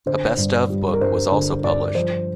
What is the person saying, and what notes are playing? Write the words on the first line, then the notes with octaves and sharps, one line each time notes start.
A "Best of" book was also published.
D3 C5
G2
G3
A#4
G2 C5
D3 C5
G2 D5
F3 C5